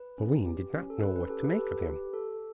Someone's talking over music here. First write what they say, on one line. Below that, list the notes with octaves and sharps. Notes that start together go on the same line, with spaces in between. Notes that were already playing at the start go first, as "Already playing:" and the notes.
Toline did not know what to make of him.
Already playing: B4
C#4
G4
C#4
A4
C#4 B4
B4
G4 A4
B4
A4
G4 B4
G4
A4